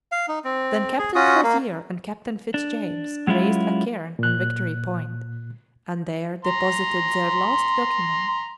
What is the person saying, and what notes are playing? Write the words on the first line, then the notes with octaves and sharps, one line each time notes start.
Then Captain Crozier and Captain Fitz-James raised a cairn on Victory Point, and there deposited their last document.
F5
D#4
C4
G#4
C#4 F4 F#4 D#6
A#3
D4
F#3 G#3 C#4 E4 F4
A#2 F#6
A#5 C6